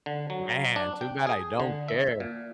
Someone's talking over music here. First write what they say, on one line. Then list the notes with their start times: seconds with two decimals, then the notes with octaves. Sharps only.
Man, too bad I don't care.
0.06 D3
0.30 F#3
0.76 D4
1.01 G5
1.27 G#4
1.60 D3
1.88 E5
2.20 A#2